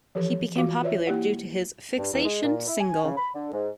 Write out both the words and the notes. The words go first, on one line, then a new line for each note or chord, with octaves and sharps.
He became popular due to his "Fixation" single.
E3 F3 G4 A4 B4 C#5
E3 F4 F#4 F5 D6
F4 B4 C#5 D5 E5
A#3 E4 G4 D5 F#5
G2
E2
G#3
A#2
E4
G#5
C#3
B5
D3
G#2